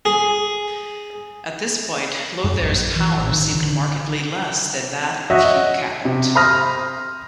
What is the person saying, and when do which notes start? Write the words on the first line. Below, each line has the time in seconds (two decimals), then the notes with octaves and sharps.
At this point Lothair's power seemed markedly less than that of Hugh Capet.
0.05 G#4
2.44 F#2
2.61 A#1
2.96 E3
3.18 A1
3.32 D#3
3.55 D3
5.30 F#4 C#5 D#5 E5 F#5
6.05 C3
6.35 C5 B5 D#6 F6 A#6